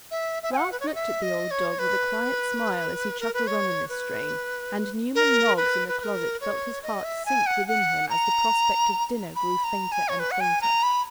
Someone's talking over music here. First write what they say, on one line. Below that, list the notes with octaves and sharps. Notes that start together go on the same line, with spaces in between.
Ralph looked at the old dog with a quiet smile as he chuckled on in this strain, and Newman Noggs in the closet felt his heart sink within him as the prospect of dinner grew fainter and fainter.
E5
E5
G#5
F#5
B4
C#5
D#5
E5
D#5
C#5
B4
A#4
B4
C#5
B4
A#4
B4
B4
B4
A#4
C#5
D#5
E5
G#5
F#5
F#5
A#5
B5
A#5
G#5
C#5
B4
F#5
G#5
A#5
B5